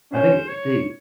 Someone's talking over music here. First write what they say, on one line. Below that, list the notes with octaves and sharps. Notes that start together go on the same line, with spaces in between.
I think, eh, they
C#4 C5
C#5